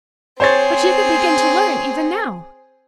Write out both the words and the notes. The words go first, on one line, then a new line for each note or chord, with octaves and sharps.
"But you could begin to learn even now!"
C4 G#4 C5 C#5 A6